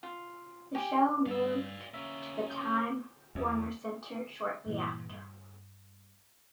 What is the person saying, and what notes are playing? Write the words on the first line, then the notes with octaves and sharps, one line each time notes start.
The show moved to the Time Warner Center shortly after.
F4
G4 G#5
G2 D5 F5 E6
A#3 C#4 E5
G6
E2
G2 A#2 E3
G2